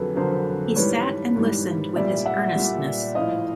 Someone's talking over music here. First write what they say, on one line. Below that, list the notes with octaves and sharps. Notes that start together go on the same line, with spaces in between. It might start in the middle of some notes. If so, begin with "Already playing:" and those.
He sat and listened with his earnestness.
Already playing: F2 D3 F#3 G#4 A4 B4
F2 D3 F#3 A#4 C5
G#2 E3 G3 B4 C#5
G#2 E3 G3
A#2 G3 D5 E5
E5 F#5
A#2 G3
A2 F3 D#5 F5